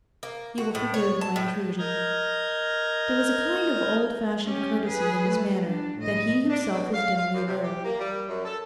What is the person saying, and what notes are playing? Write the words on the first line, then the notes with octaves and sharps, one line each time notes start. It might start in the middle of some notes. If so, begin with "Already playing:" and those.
You will forgive my intrusion?' There was a kind of old-fashioned courtesy in his manner that he himself was dimly aware of.
A#3
F#4
A2
C#5
A5
A2
A#4 D#5 F6 G6 G#6 A#6
C#4 G4
G#4 B4
A3
D4
A2 D#5
D4
B2
F5
F5
F#2
C3
G4
A#3
G3
F#2
A4